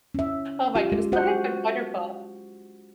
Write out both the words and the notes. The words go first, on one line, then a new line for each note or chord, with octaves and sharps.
Oh my goodness, but hey its been wonderful.
C#4 E5
F4 G4
G#3
F#4 C5 F#5